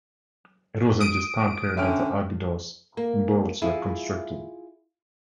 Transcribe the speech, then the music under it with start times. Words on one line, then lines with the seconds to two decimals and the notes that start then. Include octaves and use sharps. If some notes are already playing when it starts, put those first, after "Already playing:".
It was in this time period that the Abydos boats were constructed.
1.01 D#6 D7
1.77 D3 C#4 E5 G5 F6
2.97 A#3
3.62 E4 F4 G#4